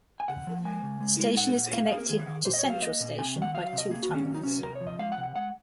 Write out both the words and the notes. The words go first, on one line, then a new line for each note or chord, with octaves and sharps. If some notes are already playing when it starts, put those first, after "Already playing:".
The station is connected to Central Station by two tunnels.
G#5
C#3 F#5
F3
G#3 G#5
C#3
G#3
G#3
A#2 F#5
A#2
A#3 F5
F5
A#3 G#4
A#4
D#3 G#4
D#3
A#2 C5
D#5
C#5
F#3
F5
A#3 D#5
A#2
C3 G#5
D#3
F#5
F#3 F5
F5
C3
D#5
A#3 G#4
F#4
D#3
C#4
F#3 C#4
D#4
C3 C#4
C3 A#4
C#5
F3
D#5
G#3 F5
F#5
C3
F#5
G#3 F#5